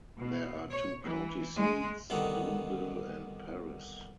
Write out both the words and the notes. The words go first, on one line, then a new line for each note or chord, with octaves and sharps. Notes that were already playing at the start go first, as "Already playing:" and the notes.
There are two county seats: Booneville and Paris.
B2
C#5
E3
G#3
C2 B2 D3 D#3 F#5